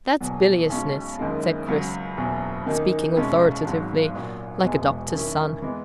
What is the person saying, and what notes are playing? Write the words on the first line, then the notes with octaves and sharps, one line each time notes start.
"That's biliousness," said Chris, speaking authoritatively, like a doctor's son.
F#1 E2 B2 F#3
B1 B2 G#3 C#4
F#1 F#2 D#3 G#3
C#2 C#3 F#3
F#1 E2 B2 F#3
F#2 D#3 A#3 D#4
C#2 B2 G#3 C#4 E4
G#1 G#2 F#3
A#1 A#2 F#3
E1 E2 B2 G#3
F#2 D#3 A#3 C#4 E4
E3 G#3 B3